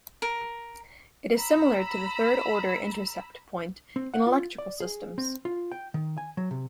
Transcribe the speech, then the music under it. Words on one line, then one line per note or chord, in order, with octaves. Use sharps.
It is similar to the third-order intercept point in electrical systems.
A#4
A#5 B5 E6
C4
F#5
F4
D5
G#4
C4
F4
G5
D#3
G#5
F#3
C3